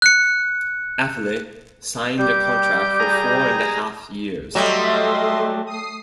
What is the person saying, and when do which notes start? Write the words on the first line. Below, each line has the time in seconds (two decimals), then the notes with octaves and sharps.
Afellay signed a contract for four-and-a-half years.
0.02 F#6 C#7
2.18 G3 G4 G6
3.00 G#4 A#5
4.55 F#3 G3 A3 D#5 E5 C6
5.66 D#6 C7